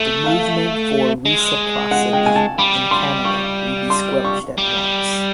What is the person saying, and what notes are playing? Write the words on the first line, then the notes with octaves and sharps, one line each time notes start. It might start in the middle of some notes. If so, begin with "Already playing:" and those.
The movement for reciprocity in Canada will be squelched at once.
Already playing: A3
F5
G#3
F#5
G5
G#5
A5
G3 B5
C6
C#6
C6
C#6
G3